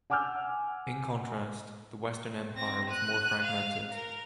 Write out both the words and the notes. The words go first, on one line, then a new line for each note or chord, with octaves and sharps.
In contrast, the Western Empire was more fragmented.
F#5 G#5 D6 E6 F6 G6
C4 A#6
F#6 D#7
F5
A#4